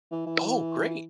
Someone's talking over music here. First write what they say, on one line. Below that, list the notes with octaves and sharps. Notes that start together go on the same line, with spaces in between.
Oh, great.
E3
E3